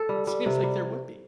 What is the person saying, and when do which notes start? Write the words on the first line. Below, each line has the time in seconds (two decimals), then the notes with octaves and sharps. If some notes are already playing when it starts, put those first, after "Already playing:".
It seems like there would be.
Already playing: A4
0.09 G3
0.27 G3
0.46 C3
0.63 G3